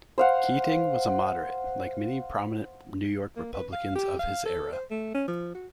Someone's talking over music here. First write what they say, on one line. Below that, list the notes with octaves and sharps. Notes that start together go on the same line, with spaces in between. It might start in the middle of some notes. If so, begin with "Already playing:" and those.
Keating was a moderate, like many prominent New York Republicans of his era.
C5 F5 F#5
A#3
B4
F5
G4
F5
A4
C5
A3
C#4
F3
F#4